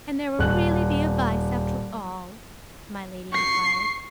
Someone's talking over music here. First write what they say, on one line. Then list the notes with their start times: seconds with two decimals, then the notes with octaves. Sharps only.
"And there will really be a Vice after all?" my Lady enquired.
0.39 D#1 F#6
3.32 C#6 C7